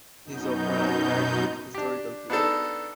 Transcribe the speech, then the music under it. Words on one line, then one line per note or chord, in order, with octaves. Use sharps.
His operas dealt with historical themes.
F#2 B2 D#4 G6
D4 G4
B3 D4 D#4 A4